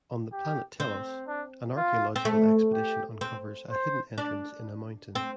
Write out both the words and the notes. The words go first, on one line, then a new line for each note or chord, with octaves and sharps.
On the planet Telos, an archaeological expedition uncovers a hidden entrance in a mountain.
G4
C4
D4
F4
C4
A3
G4
C4
C5
D4
C4